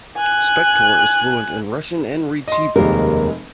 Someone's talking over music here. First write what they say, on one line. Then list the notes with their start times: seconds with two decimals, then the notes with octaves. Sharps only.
Spektor is fluent in Russian and reads Hebrew.
0.17 G#5 F#6
2.48 D#5 C6
2.76 F1 D#2 G3 G#3 A#4